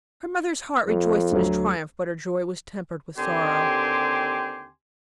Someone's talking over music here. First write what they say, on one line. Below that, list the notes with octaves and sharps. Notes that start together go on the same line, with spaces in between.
Her mother's heart rejoiced in his triumph, but her joy was tempered with sorrow.
F2
D2 F#3
D#2 D3 C4 G4 G#5 C6